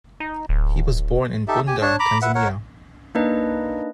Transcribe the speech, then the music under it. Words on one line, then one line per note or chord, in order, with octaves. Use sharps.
He was born in Bunda, Tanzania.
D#4
D1
D#4 G4 A4 E5
G4 G#5
D4 C#5 A5
A#5 B5 D6
B4 E5 F#5
A#4 C#5 F#5
A#3 D4 D#4 B4 D#5